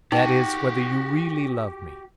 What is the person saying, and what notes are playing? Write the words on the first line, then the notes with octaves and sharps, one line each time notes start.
"That is, whether you really love me?"
D#4 F#4 G4 G5 G#5